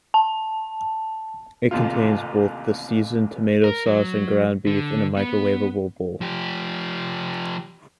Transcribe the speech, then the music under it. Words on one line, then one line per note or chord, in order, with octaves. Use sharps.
It contains both the seasoned tomato sauce and ground beef in a microwavable bowl.
A5
A1 D#2 C3 F4
A#4
F#3
D3
B3
F3 G4